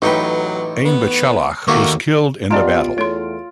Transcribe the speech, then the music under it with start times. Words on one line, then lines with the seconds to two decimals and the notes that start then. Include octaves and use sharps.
Ainbcellach was killed in the battle.
0.02 A1 A2 F#3 D#4 B4 G5
0.85 B3
1.68 D#2 D#3 A3 A#3 F#4
2.51 B3 F4 G4 D5 D#5 A5 A#5 D7
2.98 E2 A3 C#5 C6 D7